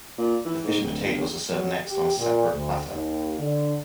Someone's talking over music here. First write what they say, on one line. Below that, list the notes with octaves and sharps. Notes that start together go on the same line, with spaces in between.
The fish and potatoes are served next on a separate platter.
A#2
E3
G#2
D1
G1
F#3
G4
A#2
D2
D#2
D3